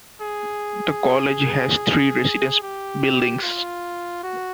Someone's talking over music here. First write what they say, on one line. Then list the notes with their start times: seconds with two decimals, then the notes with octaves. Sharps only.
The college has three residence buildings.
0.21 G#4
2.63 G4
3.43 F4
4.23 F#4